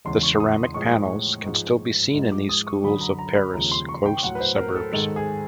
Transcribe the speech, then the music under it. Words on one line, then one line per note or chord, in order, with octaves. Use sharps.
These ceramic panels can still be seen in these schools of Paris close suburbs.
E2 C#3 E3 G#3 C6
C#6
D#6
C6
A2 F3 G#3 C#6
G#2 F3 G#3
G#2 F3 G#3
D6
D#6
C#6
F#2 D3 F#3 B5
A#5
A#5
B5
D#2 C#3 F3 G#3 A#5
C6
C#6
G5
A2 F#3 F#5
B4
C5
A#4
A4
G#2 D#3 G#3 A4
G#4